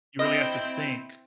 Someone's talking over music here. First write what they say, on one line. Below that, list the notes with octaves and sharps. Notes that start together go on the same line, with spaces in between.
you really have to think,
C4 E4 D#5 G5